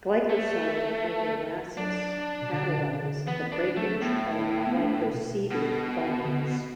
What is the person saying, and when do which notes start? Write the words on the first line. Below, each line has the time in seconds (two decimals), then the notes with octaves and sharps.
Glycoside hydrolases catalyze the breakage of glycosidic bonds.
0.29 A3
1.77 F#3 D4
2.42 B2
2.52 D3
2.68 D3
2.77 B2
3.02 D3
3.27 E3 B3
3.52 D4
3.77 F#3 A3
4.01 A2 B3
4.39 E4
4.66 B3
4.76 D4
5.13 B2
5.51 B2
6.25 D3